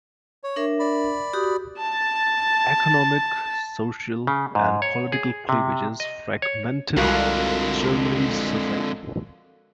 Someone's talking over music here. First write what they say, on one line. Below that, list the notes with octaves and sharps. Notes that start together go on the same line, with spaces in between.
Economic, social, and political cleavages fragmented Germany's society.
C#5
D4 A#4 E5
D5 B5
F#4 G4 D#6
A5 A6
C#3
G#2
C#5
G#4
C3
D#5
C#5
C2 F2 D3 G#3 F#4 A#4 F5